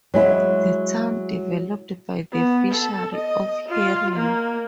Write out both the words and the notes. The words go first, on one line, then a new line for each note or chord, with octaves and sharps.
The town developed by the fishery of herring.
F#3 G#3 E4
B3
A4
D#5
F4
A#3